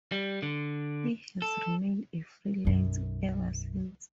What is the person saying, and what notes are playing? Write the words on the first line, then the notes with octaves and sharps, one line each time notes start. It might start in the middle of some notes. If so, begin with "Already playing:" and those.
He has remained a freelance ever since.
G3
D3
A4
B1 F#2